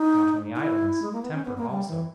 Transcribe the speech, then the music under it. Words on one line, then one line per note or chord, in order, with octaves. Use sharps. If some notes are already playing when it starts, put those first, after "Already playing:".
Not only idleness, temper also.
Already playing: D#4
D#4
E4
G#3
A#3
B3
C#4
B3
A#3
G3
E3